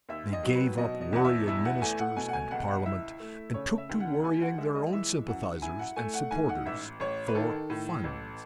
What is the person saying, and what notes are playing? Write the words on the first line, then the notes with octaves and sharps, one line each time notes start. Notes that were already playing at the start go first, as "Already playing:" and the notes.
They gave up worrying Ministers and Parliament and took to worrying their own sympathisers and supporters--for funds.
D#2 E5
D#5
F#3
B4
B2 D#5
D#5
E2 F#5
E5
E4 E5
F#5
A3 G#5
F#5
B2 G#5
F#5
G#5
C#2 F#5
F#5
E4 E5
A3
C#3 C#5
E5
D#2
F#5
D#2 G#5
F#5
G#3 E5
D#5
E3 E5
F#2 F#5
E4 G#5
F#5
A3 G#5
F#5
G#2 G#5
F#5
A1 E5
A1 C#5
B4
D#3 A4
A2
A1